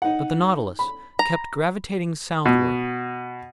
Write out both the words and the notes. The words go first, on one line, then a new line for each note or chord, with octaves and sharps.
But the Nautilus kept gravitating southward.
D#4 F#5
B5
A#5
B2